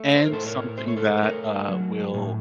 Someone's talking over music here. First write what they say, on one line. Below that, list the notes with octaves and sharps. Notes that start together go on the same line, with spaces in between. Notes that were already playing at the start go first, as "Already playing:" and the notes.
and something that, uh, will
Already playing: A3
C5
A#4
A2 A4 C5
A#4 C#5
A3 C5
C#5
A4 C5
C5
A3 A#4 C#5
F#3
A2